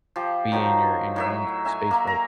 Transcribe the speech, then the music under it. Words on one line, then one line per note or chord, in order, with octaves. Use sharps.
be in your in your own space, right?
F3 G4
D#3 F3 F#3
A2 F#3 E5
E5 G#5 A#5
A#3 A#4
A#5